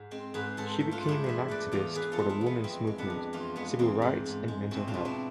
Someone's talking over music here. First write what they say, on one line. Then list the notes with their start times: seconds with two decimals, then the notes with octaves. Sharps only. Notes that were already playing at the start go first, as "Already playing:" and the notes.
She became an activist for the women's movement, civil rights and mental health.
Already playing: G#2
0.11 G#3 C4
0.34 G#2 G#4 B4
0.57 G#2 A4 C5
0.80 A3
0.91 D4 F4
1.03 G#2
1.08 E4 G#4
1.24 E2 C5 E5
1.48 A3 B4 D5
1.71 E2 D5 F5
1.95 E2 G#4 B4
2.12 F4 A4
2.19 G#3
2.29 E4 G#4
2.41 E2
2.46 B3
2.64 F2 C4
2.87 G#3
2.98 B3 D4
3.10 F2
3.33 E2 D4 F4
3.56 G#3 B3
3.79 E2 C4
4.02 G#2
4.26 G#2
4.48 G#3
4.71 B2 C4 E4
4.88 D4 F4
4.94 B2
5.05 C4 E4